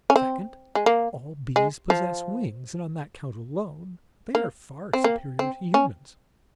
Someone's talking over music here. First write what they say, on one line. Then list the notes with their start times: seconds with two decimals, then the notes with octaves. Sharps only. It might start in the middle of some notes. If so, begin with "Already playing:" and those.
Second, all bees possess wings and on that count alone they are far superior to humans.
0.10 C#4
0.16 C4
0.75 G#3
0.86 A#3
1.56 G#3
1.90 F3
4.35 A#3
4.93 C4
5.04 A#3
5.39 C4
5.74 C#4